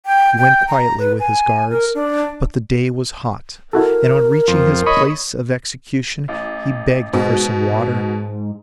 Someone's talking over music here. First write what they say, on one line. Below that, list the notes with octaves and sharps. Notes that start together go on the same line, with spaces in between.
He went quietly with his guards, but the day was hot, and on reaching his place of execution he begged for some water.
G5
G5
A#5
B4
G#5
A#4
D4
E4 F#4 A4 A#4
F2
C#5 D#5 B5
A1
G#2 B2